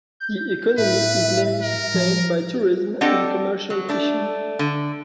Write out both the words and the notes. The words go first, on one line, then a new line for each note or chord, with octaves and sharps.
The economy is mainly sustained by tourism and commercial fishing.
G6
A2 B4 E5
A#4
F3
C4 D4 G4 A4 D#5 F#5
F#3
A3 D4
D3